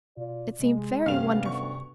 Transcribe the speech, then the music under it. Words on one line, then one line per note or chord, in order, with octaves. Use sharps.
It seemed very wonderful!
B2 F4 D5
C3 G#3
D2 G2 C3 B3 C#4 F5 F7
C#6